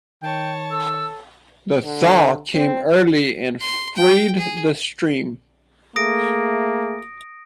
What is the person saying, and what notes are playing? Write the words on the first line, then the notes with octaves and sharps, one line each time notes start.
The thaw came early and freed the stream.
D#3 C#5 G5 A5
A4 E6
D3
C4
C6
G5
G#4
A3 A#3 G#4 D#6 A#6 D7